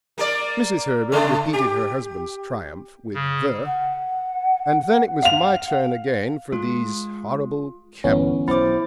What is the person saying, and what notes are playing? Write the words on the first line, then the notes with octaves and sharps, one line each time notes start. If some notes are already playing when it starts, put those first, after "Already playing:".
Mrs. Herbert repeated her husband's triumph with "the," and then it was my turn again for these horrible camels.
A#3 A#4 D5
C#3 A3
G4
C#3
F#5
F5 F7
G#3 F4
G1 E3 B3 C#4
B1 E4 C5 D6